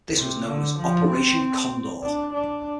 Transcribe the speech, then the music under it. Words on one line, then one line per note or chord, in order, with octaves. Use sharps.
This was known as Operation Condor.
C3
D3
F3
C4
D4
D4